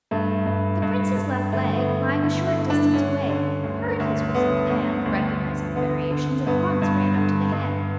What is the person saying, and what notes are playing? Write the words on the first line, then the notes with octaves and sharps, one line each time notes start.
The Prince's left leg, lying a short distance away, heard his whistle, and, recognizing the variations, at once ran up to the head.
G2 A3
G2
G2
G2
D3 A3
B3
D3
D3 E4
E4
G2
D4
D3 C#4
D3
D2
D2
D3 B3
D2
D2
D2
D3 B3
D3
G2 B3
G2
D3
G2